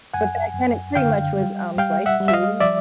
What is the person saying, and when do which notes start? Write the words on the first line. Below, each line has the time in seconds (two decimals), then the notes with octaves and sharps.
But back then it pretty much was, um, sliced cheese,
0.14 F#2 F#5 G#5
0.54 F#2
0.96 D3 F5 G5
1.37 G3
1.78 G3 F5 G5
2.06 E5 F#5
2.20 G3
2.28 E5
2.34 D#5 F5
2.60 F3 D5 E5